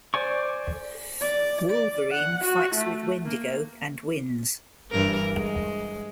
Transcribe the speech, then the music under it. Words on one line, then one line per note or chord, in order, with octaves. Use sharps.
Wolverine fights with Wendigo and wins.
C5 D5 G#5 C#6
D5
D5
F#5
F#4
A3
A#3
G2 E3 A#4
G#3